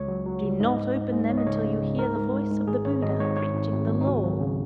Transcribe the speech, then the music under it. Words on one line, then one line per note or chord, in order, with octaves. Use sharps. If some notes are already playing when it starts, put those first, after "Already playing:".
Do not open them until you hear the voice of the Buddha preaching the Law.
Already playing: C#2 C#5
F#3
F#3
C#2
G#2 D#5
G#2
G#2
G#2
C#2 C#5
D#5
C#3 C#5
C#3
C#2
G#2 A#4
G#2
G#3
G#2
G#1 G#4
G#1 C#5
G#1 D#5
G#2 C#5
G#1 C#5
G#1
G#1
G#1
D#4
C#2 F#4
F#3
C#3